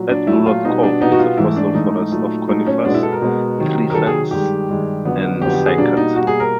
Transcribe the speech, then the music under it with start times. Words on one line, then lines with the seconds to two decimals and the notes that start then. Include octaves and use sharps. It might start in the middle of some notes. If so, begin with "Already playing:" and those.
At Lulworth Cove there is a fossil forest of conifers, tree-ferns and cycads.
Already playing: A#2 F#3
0.09 D4
0.27 A#2 F#3 A3 E4
0.46 F4
0.64 B2 G3 B3 D#4
0.83 D4
1.01 B2 G3 B3 D#4
1.12 F#4
1.19 F4
1.37 G#2 E3 A3 E4
1.56 D4
1.74 G#2 E3 A3 D#4
2.11 A#2 F#3 A3
2.48 A#2 F#3 A3 D#4
2.67 C#4
2.84 B2 G#3 B3 D4
2.94 E4
3.03 A4
3.12 A#4
3.22 B2 G#3 B3
3.58 C3 D#3 F#3
3.90 A#4
3.94 C3 D#3 F#3 A4
4.07 G#4
4.31 G2 D#3 G#3 G4
4.68 G2 D#3 G#3
5.05 F2 D3 F#3 B3
5.41 F2 D3 F#3 B3 G4
5.54 G4
5.66 G#4
5.78 B2 G3 A#3 D4
5.97 D#4
6.15 B2 G3 A#3 F#4
6.27 G#4
6.40 A#4